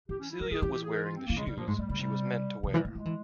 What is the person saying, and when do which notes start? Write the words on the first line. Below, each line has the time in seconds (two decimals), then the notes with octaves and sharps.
Celia was wearing the shoes she was meant to wear.
0.09 E3 G4
0.19 C#4
0.30 E4
0.40 E3 A#4
0.51 F3 G#4
0.62 E3 G4
0.72 G4
0.83 G#4
0.94 A#4
1.04 F4
1.15 C4
1.26 E3 A#3
1.36 C#3 G#3
1.47 C#3 G3
1.57 A#2 F3
1.67 G#2 G#3
1.78 G2 G3
1.89 C#3 G3
2.00 C3 G3
2.63 C3 F3
2.74 E3 G3
2.85 E3 A#3
2.95 F3 G#3
3.05 E3